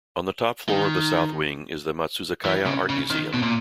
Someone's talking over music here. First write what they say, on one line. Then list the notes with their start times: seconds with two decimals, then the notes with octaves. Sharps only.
On the top floor of the south wing is the Matsuzakaya Art Museum.
0.69 D#3
2.45 E3
2.66 C#3
2.90 C#3
3.10 D#3
3.34 B2
3.43 A#2